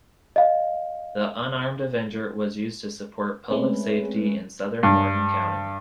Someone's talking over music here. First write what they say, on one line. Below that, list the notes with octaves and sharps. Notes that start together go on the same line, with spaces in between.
The unarmed Avenger was used to support public safety in southern Morton County.
D#5 F5
G#3 A3 C4 C#4 B4
G2